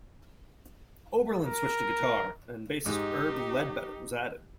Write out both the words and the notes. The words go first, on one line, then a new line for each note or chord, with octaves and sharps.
Oberlin switched to guitar and bassist Herb Ledbetter was added.
A#4
G#2 D#4 G4